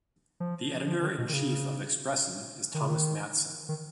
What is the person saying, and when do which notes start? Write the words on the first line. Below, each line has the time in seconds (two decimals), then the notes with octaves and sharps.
The editor in chief of "Expressen" is Thomas Mattsson.
0.40 F3
0.87 F3
1.02 D#3
1.18 B2
1.29 D#3
1.33 C#3
2.74 D#3
2.81 C#3
2.89 D#3
3.69 D#3